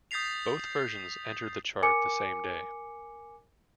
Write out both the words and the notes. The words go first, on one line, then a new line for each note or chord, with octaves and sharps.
Both versions entered the chart the same day.
D#6 G6 A6 B6 C7 F7
A#4 G#5 D6 C#7